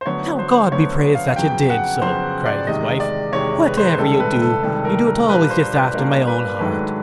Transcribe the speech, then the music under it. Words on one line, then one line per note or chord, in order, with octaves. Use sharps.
'Now, God be praised that you did so!' cried his wife; 'whatever you do, you do it always just after my own heart.
C5
D2 D3 F#3 B3 C#5
C5
D2 D3 F#3 B3 C#5
F5
F2 C#3 F#3 B3 G5
F#5
F2 C#3 F#3 B3 C5
D5
E2 C3 D#3 G#3 D#5
D5
E2 C3 D#3 G#3 C#5
B4
C5
B4
C#2 C3 D#3 G3 A4
B4
A4
C#2 C3 D#3 G3 A4
A#4
A#4
A#2 G3 A#3 D4 B4
C5
B4
A#2 G3 A#3 D4 A#4
B4
G#2 D#3 F#3 A3 D4 B4